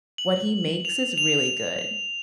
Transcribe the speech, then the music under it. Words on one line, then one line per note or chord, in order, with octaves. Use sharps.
what he makes is really good.
F#7
F7
F7